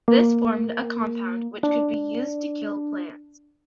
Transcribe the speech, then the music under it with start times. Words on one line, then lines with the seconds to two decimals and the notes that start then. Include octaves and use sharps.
This formed a compound which could be used to kill plants.
0.08 A#3
1.63 D4